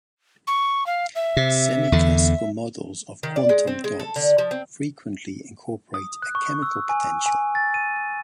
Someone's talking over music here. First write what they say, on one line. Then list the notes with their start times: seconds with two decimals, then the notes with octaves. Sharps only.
Semiclassical models of quantum dots frequently incorporate a chemical potential.
0.47 C#6
0.86 F5
1.15 E5
1.37 C3
1.92 E2 D3
3.23 D#3
3.36 D5
3.49 G#3
3.67 C4
3.84 G#3
3.99 A4
4.16 D3
4.38 F3
4.51 C4
5.94 D#6
6.22 F#6
6.35 C#6
6.62 E6
6.89 G#5
7.26 G#5
7.55 A6
7.74 D#7